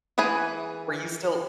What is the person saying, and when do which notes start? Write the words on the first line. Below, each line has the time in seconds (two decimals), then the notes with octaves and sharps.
were you still
0.18 E3 G#4 B4 G#5